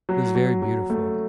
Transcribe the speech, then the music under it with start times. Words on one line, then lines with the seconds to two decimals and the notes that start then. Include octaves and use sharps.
He was very beautiful.
0.09 F#3
0.35 F#3
0.62 F#3
0.90 A3